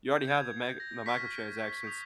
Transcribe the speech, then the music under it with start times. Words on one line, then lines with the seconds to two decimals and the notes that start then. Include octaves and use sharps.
you already have the meg the microtransactions,
0.15 G6
0.27 D#6 G6 G#6
0.80 A#6
1.06 C#6 F6 B6
1.84 D#6 G6